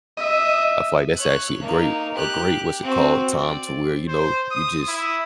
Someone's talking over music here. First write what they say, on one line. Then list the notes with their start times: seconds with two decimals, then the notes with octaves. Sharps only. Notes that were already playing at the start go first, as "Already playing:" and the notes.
I feel like that's actually a great a great, what's it called, time to where, you know, you just
0.17 D#5 E5
1.16 C#5 F#6
1.60 A#3 D#4
2.15 G4 F#6
2.82 C4 F#4
3.41 D5
4.08 C5
4.51 D#6
4.88 E4